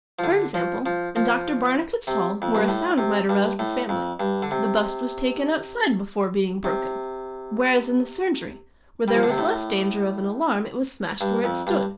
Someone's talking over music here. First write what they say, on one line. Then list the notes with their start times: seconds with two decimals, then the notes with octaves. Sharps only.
For example, in Dr. Barnicot's hall, where a sound might arouse the family, the bust was taken outside before being broken, whereas in the surgery, where there was less danger of an alarm, it was smashed where it stood.
0.19 F3
0.24 D3
0.54 F3
0.86 F3
1.16 F3
2.07 C3
2.42 F2
2.55 G2
2.68 A2
2.98 C3
3.29 G2
3.59 A2
3.89 F2
4.20 G2
4.42 D3
4.51 C3
6.64 C3
9.08 G3
9.14 F3
9.23 D3
9.30 C3
9.38 A2
11.21 G2
11.44 F2
11.67 G2